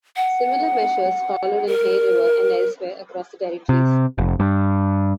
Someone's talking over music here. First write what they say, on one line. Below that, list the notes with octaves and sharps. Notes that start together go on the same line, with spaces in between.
Similar measures followed in Hay River and elsewhere across the Territories.
F#5
A#4
C3
F1
G2